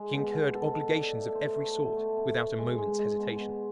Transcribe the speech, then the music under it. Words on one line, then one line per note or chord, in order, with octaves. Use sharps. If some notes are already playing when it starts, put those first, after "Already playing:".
She incurred obligations of every sort without a moment's hesitation.
Already playing: G#3 G#4
B2
B2
B2 A4
B2
B2 D5
A3
B2 C5
A3
B2
A3
B2
B2
G#3
G#3
G#3
B2
B2